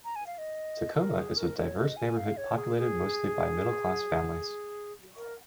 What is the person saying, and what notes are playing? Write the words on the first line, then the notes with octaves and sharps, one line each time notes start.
Takoma is a diverse neighborhood, populated mostly by middle-class families.
A#5
G#5
F5
D#5
A#4
G#4
A#4
C#5
D#5
G#5
F5
C#5
G#4
G#4
A#4